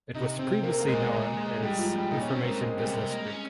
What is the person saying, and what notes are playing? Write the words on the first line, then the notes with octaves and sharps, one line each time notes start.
It was previously known as Information Business Group.
C3 D#4
C3 C4
C3 A#3
G#2 A#3
A#2 G#3
A#2 G#3
G#3
G#2 G3
F3
G3
A#2 D#4
C#4
C3 C4
G#2 A#3
G#3
A#2 G3
C3
G#3
G#3 A#3
C#4